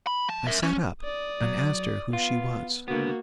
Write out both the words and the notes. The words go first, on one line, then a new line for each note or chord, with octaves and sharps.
I sat up, and asked her who she was?
B5
F3 A5
A#4 E5
C#4
D5 D#6
F#3
B3 F4
C#2 D3 A#3 B3 F#4